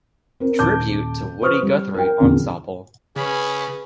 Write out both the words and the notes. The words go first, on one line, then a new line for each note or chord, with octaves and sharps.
Tribute to Woody Guthrie ensemble.
C4 A#4
D#1 A5 D6 G6
B4 C5 C#6 D#6 F6
G3
A#4 G5
E2 A#2 D3
C#3 C#4 G#4 B4 B5